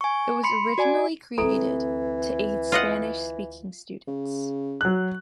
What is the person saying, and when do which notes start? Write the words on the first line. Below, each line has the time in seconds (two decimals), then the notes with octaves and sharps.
It was originally created to aid Spanish-speaking students.
0.01 G#5 C#6
0.44 B5 C6 C#7
0.78 F#4 D5 G#5
1.38 D2 E3 C4 A4 A#5
2.72 F4 D#5 F#5
4.08 C#3
4.81 F#3 F#6